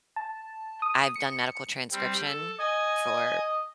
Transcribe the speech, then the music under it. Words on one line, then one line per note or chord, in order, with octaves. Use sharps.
I've done medical transcription for
A5
D#6
C#7
G3 C4 G4
A4
D#5 G#5